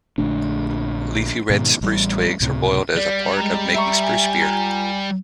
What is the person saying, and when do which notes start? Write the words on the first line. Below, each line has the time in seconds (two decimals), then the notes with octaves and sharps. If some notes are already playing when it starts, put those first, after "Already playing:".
Leafy red spruce twigs are boiled as a part of making spruce beer.
0.18 A#1 D3 A3 D4
1.50 G#2 B2 D#3
1.81 A1 G3
2.40 C#2 A2 C3
2.96 G3 D5
3.37 G#3 A#5
3.74 E5 A#5 C#6
4.02 G#5
4.40 F4 A#4